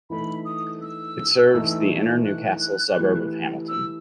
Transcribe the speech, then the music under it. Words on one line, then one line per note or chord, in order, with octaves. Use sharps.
It serves the inner Newcastle suburb of Hamilton.
E3 A3 D#4 A4 B5
D#6
E6
E3 A3 D#4
F#6
E3 A3 E4 G4 B4
E6